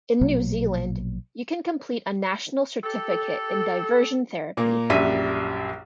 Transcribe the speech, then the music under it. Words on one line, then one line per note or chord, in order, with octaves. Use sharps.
In New Zealand, you can complete a National Certificate in Diversion Therapy.
A#1 B2 F#3 A#3
G4 A4
A#2 A#3
A#1 F#2 G3 E5 B6 D#7